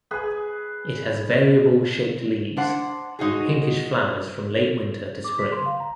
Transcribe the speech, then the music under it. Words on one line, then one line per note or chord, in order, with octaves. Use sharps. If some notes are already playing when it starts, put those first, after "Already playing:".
It has variable shaped leaves and pinkish flowers from late winter to spring.
G#4 B4
D4 C5 F#5
G#3 D#4 F#4 G#4
D6
B6
C6
F5
A#5